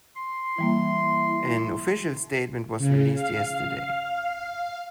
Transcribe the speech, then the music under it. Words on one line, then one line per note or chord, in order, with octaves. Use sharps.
An official statement was released yesterday.
C6
E3 G3 A#3 E4
C#3
F5